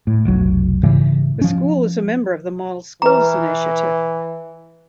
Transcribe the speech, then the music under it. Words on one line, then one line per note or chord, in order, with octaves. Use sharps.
The school is a member of the Model Schools initiative.
A2
F1 B1 F#3
G#2 C#3 E3 G3
F3 C#4
E3 B4 A#5